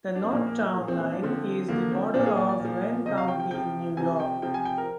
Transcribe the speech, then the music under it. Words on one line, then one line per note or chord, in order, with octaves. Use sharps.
The north town line is the border of Wayne County, New York.
D4
C4
A#2 F3 A#3
A#3
A#3
A#2 F3
C4
C4
D4
D3 F3 C4
D3 F3 A#3
C4
A#2 F3 D4
G#4
D5
D5
A#2
F3
C3 F3 D#5
F5
G5
G5
C3 F3 G5
C3 F3 G#5
G5
C3 F3 G5
G#5
G5
A#4